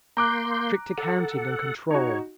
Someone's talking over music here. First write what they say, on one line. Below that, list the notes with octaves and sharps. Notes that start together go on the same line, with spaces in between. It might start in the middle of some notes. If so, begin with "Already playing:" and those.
Strict accounting and control!
A#3 A#5 C6 D6 F#6 G6
A4 F#5
D#4 F#4 C#5